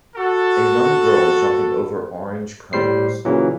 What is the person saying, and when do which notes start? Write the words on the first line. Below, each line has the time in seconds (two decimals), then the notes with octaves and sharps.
A young girl jumping over orange cones.
0.16 F#4 A4
2.73 A2 G3 C5 C7
3.25 A#2 C#3 E3 F#3